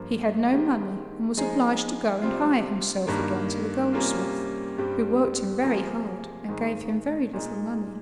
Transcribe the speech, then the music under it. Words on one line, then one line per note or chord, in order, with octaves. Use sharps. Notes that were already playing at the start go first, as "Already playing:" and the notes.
He had no money and was obliged to go and hire himself again to the goldsmith, who worked him very hard and gave him very little money.
Already playing: G2 F3 A#3
D#3 G#3 C4 G4
F3 G#3 D#4 G#4
C3 G3 C4 F4
G2 D#3 A#3
C3 G3 A#3 C#4 F4
G2 G3 C4 G4
C3 F3 A#3 F4 G#4
G#2 D#3 G#3
A#2 G#3 D#4